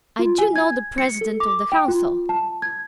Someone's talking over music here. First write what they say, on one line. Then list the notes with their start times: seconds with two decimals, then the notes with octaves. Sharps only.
I DO know the President of the Council.
0.19 F4
0.38 G#5
0.56 G#6
0.98 C#7
1.21 A4
1.40 D6
1.72 G5
1.88 F4
2.29 A5
2.62 G#6